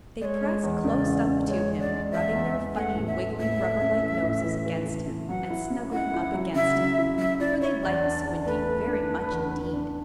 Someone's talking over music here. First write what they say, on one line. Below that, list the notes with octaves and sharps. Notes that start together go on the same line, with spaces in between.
They pressed close up to him, rubbing their funny, wiggling, rubber-like noses against him, and snuggling up against him, for they liked Squinty very much indeed.
G#3 C#5 D5
G#3
E2
C#3 D5
E2
C#3
G#3 C#5
E2
D5
G#3
E2 E5
E2
E2
A3 F#5 G#5
A2
E5
A3
A2 E5
A3
C#4
E3
A2
E3
E3
E3
E3
F#3 F#5
E4
C#4
E4 F#5
E4
F#3
C#3 E5
F#3
E4
F#3 E5
E4 D5
E4 C#5
E2 D5
D4
E2
A3 B4
A3
D4
D4
E2
D4
D4